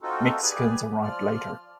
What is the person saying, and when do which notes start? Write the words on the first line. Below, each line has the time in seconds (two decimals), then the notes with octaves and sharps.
Mexicans arrived later.
0.01 C4 D#4 F4 F#4 A4
0.42 G4 G#4 B4 D5 G#5
1.03 F3 F4 D5 F6